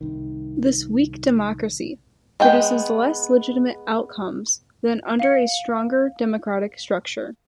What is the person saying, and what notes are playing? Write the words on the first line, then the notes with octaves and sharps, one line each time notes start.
This weak democracy produces less legitimate outcomes than under a stronger democratic structure.
C2 D#3
G#3 B3 G5
F5 C#7